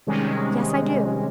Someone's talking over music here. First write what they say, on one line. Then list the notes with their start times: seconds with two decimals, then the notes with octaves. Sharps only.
"Yes, I do."
0.07 C3 D#3 G3 G#3 C#4